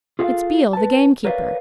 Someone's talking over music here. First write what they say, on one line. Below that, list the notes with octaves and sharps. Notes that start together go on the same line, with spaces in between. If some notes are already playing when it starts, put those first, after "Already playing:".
It's Beale the gamekeeper.
F4 G#4 A4 E5 F5
B4 A5
A#4 B4 C#5 D5 E5 F5